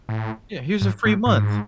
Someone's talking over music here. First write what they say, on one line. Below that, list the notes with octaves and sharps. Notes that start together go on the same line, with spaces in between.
Yeah, "Here's a free month.
A2
G#2
A2
A2
G#2